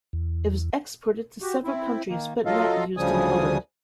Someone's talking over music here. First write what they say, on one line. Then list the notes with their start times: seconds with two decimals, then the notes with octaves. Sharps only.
It was exported to several countries, but not used in Poland.
0.13 E2
1.42 F#4 G4
1.64 C4 E4
2.08 D#3 A#3
2.45 F#3 F4 A4 D#5 F5
2.97 D2 C#3 F3 G3 G#5 D#6